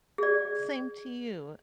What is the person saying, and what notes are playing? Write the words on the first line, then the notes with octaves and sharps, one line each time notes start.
Same to you.
G#4 D5